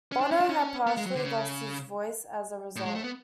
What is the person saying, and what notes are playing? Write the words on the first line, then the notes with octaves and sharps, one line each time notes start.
Bono had partially lost his voice as a result.
C#4
D4
C#4
D4
C#4
B3
G#3
F#3
D3
C#3
A2
G#3
A3
B3